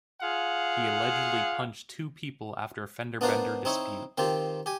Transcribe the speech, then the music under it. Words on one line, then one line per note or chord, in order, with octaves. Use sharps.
He allegedly punched two people after a fender bender dispute.
F4 G#4 F5 F#5
B3 D4 F4 A#4 C5 F5
C4 D#4 E4 C#5
D#3 C4 F4 G4
G4 G#5